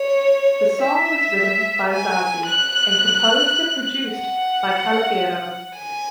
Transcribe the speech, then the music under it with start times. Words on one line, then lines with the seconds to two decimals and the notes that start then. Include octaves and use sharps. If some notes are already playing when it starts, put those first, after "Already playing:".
The song was written by Zazie and composed and produced by Calogero.
Already playing: C#5
0.82 E5
1.91 G#5
2.46 F#6
4.11 F#5
5.76 G#5